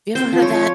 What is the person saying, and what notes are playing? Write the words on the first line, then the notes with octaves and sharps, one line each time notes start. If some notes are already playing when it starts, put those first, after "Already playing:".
you ever heard of that
C4 C5
F3
C#5
F3